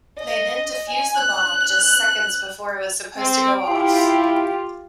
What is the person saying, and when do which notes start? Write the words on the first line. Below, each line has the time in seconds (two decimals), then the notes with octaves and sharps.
They then defuse the bomb just seconds before it was supposed to go off.
0.18 D#5
0.88 G#5
1.17 F#6
3.17 C4 G5
3.68 E4 F4 G4